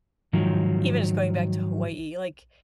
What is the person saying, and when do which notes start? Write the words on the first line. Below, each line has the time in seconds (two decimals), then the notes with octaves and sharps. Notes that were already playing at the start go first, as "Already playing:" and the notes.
even just going back to Hawaii, like,
0.33 G#2 D#3 F3 F#3